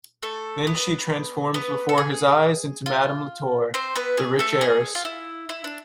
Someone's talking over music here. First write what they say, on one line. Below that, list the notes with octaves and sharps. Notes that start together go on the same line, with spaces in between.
Then she transforms before his eyes into Madame Latour, the rich heiress.
A3 A4
B3 B4
B3 B4
A4
G#4
F4
C4 C5
B3 B4
G#4
A3 A4
G#4
F4
E4
E4
D4